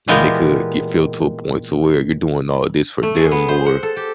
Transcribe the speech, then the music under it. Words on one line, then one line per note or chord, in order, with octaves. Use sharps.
and they could get filled to a point to where you're doing all this for them or
A#2 E3 G#3 B3 G4 A#4
A3
G#4
B3
C5
F#5
A4
G4